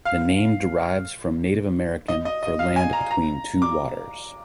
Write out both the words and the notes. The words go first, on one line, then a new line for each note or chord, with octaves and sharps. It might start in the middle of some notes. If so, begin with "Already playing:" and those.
The name derives from Native American for land between two waters.
F5
D#5
D#5
D#5
F5
G#5
A#5
A#5
D6